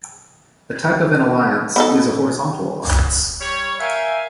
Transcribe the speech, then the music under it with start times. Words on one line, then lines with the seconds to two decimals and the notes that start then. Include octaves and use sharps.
A type of an alliance is a horizontal alliance.
1.76 B3 D#4 A4
3.41 G3 C#5
3.80 A#4 E5 F5 G5 G#5